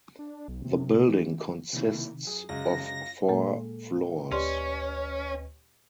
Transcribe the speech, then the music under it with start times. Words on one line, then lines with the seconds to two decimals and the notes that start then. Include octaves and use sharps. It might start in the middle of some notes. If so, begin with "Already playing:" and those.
The building consists of four floors.
0.19 D4
0.48 B1
0.64 C3
1.08 E3
1.73 B1 C3 D#3 A#3 E4
2.27 F#2 G#4
2.49 F#2 C#3 G#3 F4 A#6
3.28 A#2 G#3 A#3 A4
4.32 D2 C#4 G4 B4 D5 D#5 C6